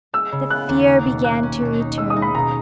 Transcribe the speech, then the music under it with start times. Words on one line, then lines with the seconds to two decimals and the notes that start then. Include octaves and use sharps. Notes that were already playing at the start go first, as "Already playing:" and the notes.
The fear began to return.
0.13 G#3 E6
0.32 C#3
0.50 B3 F#6
0.69 D#2
0.87 A#3
1.06 B2
1.24 A#3 F#6
1.43 C#4
1.61 B2
1.80 D#4
1.98 G#3 E6
2.10 D#6
2.16 D#4
2.22 B5
2.34 B2 A#5